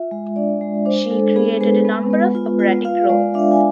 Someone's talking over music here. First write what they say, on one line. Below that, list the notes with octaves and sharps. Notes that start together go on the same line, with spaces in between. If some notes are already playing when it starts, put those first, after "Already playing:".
She created a number of operatic roles.
Already playing: F4 E5
G#3
D4 D5
G#3
D4 C5
G#3 A4
B3 G#4
G#3 B4
B3
B3
F4
F4
F4 F5
G#3 D5
D4 E5
G#5